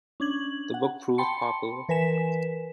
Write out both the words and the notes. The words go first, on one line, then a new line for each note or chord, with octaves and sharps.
The book proved popular.
C#4 D4 G#6 F#7
F#5
G5 A5 B5 C6 C#7
E3 A#4 B4 G#5 B6 E7